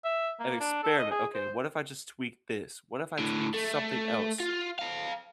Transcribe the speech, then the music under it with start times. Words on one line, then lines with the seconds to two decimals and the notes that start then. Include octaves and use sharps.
and experiment, "Okay, what if I just tweak this? What if I tweak something else?
0.04 E5
0.39 A#3
0.60 D4
0.83 A4
0.98 D#5
1.11 G#4
1.34 C5
3.19 A2 D3
3.54 A3
4.40 F4
4.79 A4 F5